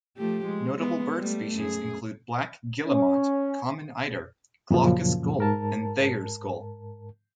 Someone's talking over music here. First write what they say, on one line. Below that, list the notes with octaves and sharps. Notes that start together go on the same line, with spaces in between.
Notable bird species include black guillemot, common eider, glaucous gull, and Thayer's gull.
F3 A3 G4
G#3
G#3 B3
G3 A3
F#2 G#4
C#4
F#2 A#2 C#3 F3
G#2 A#4 A5